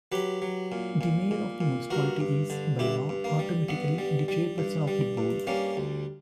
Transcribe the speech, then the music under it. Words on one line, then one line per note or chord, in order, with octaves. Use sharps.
The Mayor of the municipality is, by law, automatically the Chairperson of the board.
F#3 G4 B4
F#3
A#2
A#2
A#2
A#2
G2 F#4 A#4
G2
D3
G2 E4 G4
G2
A#3
G3
G2 B3
G3
G3
G2
G3
G2
G3 A#3 C#4
D2